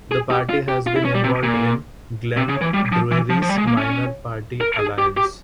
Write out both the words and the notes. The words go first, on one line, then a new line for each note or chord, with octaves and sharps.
The party has been involved in Glenn Druery's Minor Party Alliance.
G#4
G4
F4
G4
F4
E4
C#4
G3
C3
A#2
C3
C#3
E3
G3
F3
E3
F3
F3
G3
G#3
A#3
C#4
A#4
G#4
G4
G4